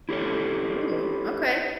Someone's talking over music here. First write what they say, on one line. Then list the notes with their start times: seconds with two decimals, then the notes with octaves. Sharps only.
Ooh, okay.
0.09 E4 G4 A4 C#5